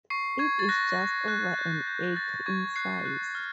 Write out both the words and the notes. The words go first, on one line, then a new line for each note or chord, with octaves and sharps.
It is just over an acre in size.
C#6 C7
C#6 G#6
A6
F#6 A#6
F#6 A#6
F#6
G6
G6
F#6 A6
C#6 G#6
F#6 C7
F#6
F6